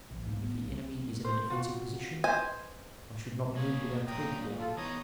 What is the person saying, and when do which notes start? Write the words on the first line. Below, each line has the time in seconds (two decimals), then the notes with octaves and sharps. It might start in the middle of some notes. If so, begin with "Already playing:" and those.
If the enemy is in a defensive position, I should not move without three corps.
0.11 A#1 F3
0.25 C2 G#2 A3 A#3
0.41 A1 B3
0.65 C2 A#3
1.25 C5
1.50 F4 F#4
2.24 B4 C5 D#5 G#5
3.56 A#3 G#4 C#5
4.07 A#2 F#3 G5 A#5 D#6
4.59 F4 A4
4.77 E3 B3 D#4 C#5 A#5 D#6